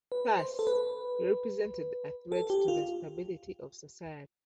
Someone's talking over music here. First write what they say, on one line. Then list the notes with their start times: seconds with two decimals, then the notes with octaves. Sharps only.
Thus, he represented a threat to the stability of society.
0.12 B4
0.39 C5
0.59 A4
0.67 B4
2.32 A4
2.50 G4
2.68 F4